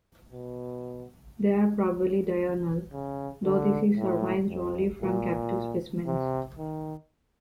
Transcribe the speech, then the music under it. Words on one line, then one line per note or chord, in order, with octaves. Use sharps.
They are probably diurnal, though this is surmised only from captive specimens.
B2
C#3
D3
A2
F2
A#2
C3
D#3